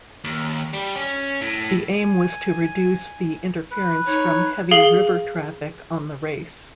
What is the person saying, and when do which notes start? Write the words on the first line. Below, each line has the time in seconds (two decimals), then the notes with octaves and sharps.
The aim was to reduce the interference from heavy river traffic on the race.
0.24 D#2
0.73 G3
0.95 C#4
1.41 A2
1.99 G#5
3.71 B4
4.07 D#4 C#5
4.71 G#4 F5 F#7 G7